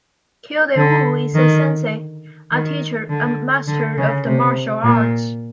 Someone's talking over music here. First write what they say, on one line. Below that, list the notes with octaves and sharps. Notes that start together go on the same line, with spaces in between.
"Kildee Wu is a sensei", a teacher, a master of the martial arts.
D3
D#3
D#3
D3
D3
C#3
C3
A#2